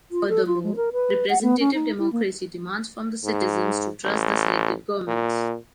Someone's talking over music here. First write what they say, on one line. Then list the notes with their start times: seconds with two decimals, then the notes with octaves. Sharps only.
Furthermore, representative democracy demands from the citizens to trust the selected governments.
0.11 F4
0.29 A4
0.46 F4
0.64 G#3
0.76 A#4
0.93 B4
1.30 F#5
1.42 B3
1.60 C#4
1.74 D#4
1.99 E4
2.12 A#3
3.25 G#2
4.04 A1
5.08 A#2